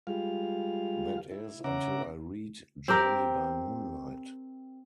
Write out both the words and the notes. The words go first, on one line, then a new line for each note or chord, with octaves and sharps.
That is, until I read "Journey by Moonlight".
G3 G#3 F4 F5
E4
C#3 C#4 E5 F#5 A#5 D6
C4 G4 A#4